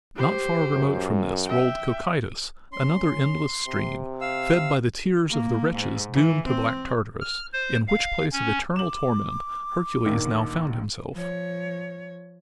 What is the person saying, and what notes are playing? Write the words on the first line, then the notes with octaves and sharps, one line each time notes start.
Not far remote from this rolled Cocytus, another endless stream, fed by the tears of the wretches doomed to Black Tartarus, in which place of eternal torment Hercules now found himself.
G4 C5
F#2
E5 G5
C#4 C6
C3
F5 E6
A#3
G#2
E3
C4
F6
C5
F5
C#4
D6 E7 F#7
A#1 D#2 D#3
F3 C#5